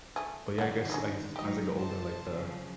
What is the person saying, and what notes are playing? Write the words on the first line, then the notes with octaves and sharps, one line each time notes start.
But, yeah, I guess I guess as I get older, like, the
A3 G#4
D3 D#3 A#3 F#5
C#4 D#4 E4
G#2 F#3 D#4 G4 D#5
C3 C5 A5
C#3 F3 F#3